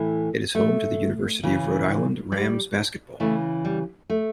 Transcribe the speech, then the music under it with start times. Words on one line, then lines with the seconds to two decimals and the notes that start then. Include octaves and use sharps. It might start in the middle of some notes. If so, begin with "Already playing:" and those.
It is home to the University of Rhode Island Rams basketball.
Already playing: A2 E3
0.55 A3
1.43 C#3 E3
2.32 G3
3.20 C#3 E3 A3
3.65 G3
4.10 A3